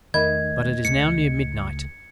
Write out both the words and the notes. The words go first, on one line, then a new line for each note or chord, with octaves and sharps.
But it is now near midnight.
E2 D#3 A3 A#4 D#5 B5 G#6
C#2 A3 C#7